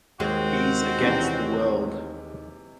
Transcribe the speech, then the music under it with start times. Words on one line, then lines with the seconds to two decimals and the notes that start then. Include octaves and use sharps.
He's against the world.
0.20 D#2 G#3 C4 F#4
0.99 C3 E3 C#4